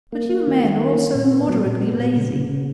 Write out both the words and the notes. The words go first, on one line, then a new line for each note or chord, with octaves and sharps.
But you men are all so immoderately lazy!
A#3
A#3
D#3
D#3
A#3
C#4
A#2
B3
F#3
A#2
B3
A#2
C#3
C#3
C#3